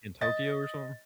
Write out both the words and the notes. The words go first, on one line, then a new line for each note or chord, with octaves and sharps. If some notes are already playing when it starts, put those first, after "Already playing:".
in Tokyo or something?
D#5 A6